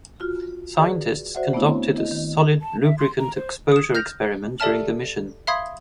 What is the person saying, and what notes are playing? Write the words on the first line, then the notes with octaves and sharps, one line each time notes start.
Scientists conducted a solid lubricant exposure experiment during the mission.
F4 F#4 F6
F#4 G#4 B4 D5
F#4 C5 D5 E5 F#5
A3 B3 C4 D4 E4 C#5
E4 D#5
D#3
A5
E5
C6
A#5
C5
D#6 E7
F6 G6 A#6 F7
G4 A4 D5 E5 A5 F6
E5 F5 B5 C6 D#6 G#6